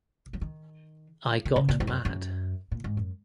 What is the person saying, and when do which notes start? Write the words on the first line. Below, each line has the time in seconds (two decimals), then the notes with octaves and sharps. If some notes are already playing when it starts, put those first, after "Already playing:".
I got mad.
0.33 F#3
0.41 D#3
1.45 D#3
1.56 C#3
1.69 A#2
1.80 G#2
1.87 F#2
2.05 F#2
2.71 A#2
2.84 G#2
2.97 F#2